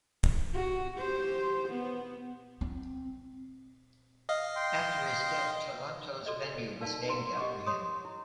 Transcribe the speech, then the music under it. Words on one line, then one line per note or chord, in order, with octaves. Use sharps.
After his death, Taranto's venue was named after him.
F#4
G4 C5
B3
C4
D#5 F5
G5 C6
F#4 A4 D5 D#5
D#4 A#4 D5 F5 A5
E4 C6
G4 D#5 F#5 C#6 D6
C#5 C6 D#6
E4